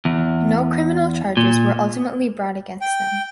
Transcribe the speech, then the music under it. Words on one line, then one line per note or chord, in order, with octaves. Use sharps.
No criminal charges were ultimately brought against them.
E2
A#2
G5